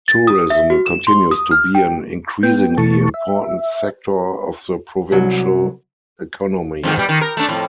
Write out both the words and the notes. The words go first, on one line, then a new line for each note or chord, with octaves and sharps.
Tourism continues to be an increasingly important sector of the provincial economy.
A6
D#6
E5
F#4
E7
C6
D#6
F6
G5
B3 G5
B2 E3 A3 A5 C#6
E5
C2 F#3
F2 G#2 D#3
B2 G3
D#3
A#4
A3 D4
F2 A2